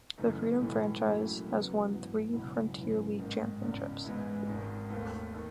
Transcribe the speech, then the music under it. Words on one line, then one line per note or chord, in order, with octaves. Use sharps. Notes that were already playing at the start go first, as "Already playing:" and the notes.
The Freedom franchise has won three Frontier League championships.
F#2 C#3 E3 A3 D#4
B1 A2 E3 G#3
F#2 D#3 F#3 A3 E4
E2 C#3 F#3 B3
G#2 E3 B3
C#2 B2 F#3 C#4 E4
G#1 F#2 C#3 E3
A1 G#2 D#3
F#1 E2 C#3
G#2 E3 G#3 B3 E4
G#1 G#2 D#3
D#2 D#3 A3
D#3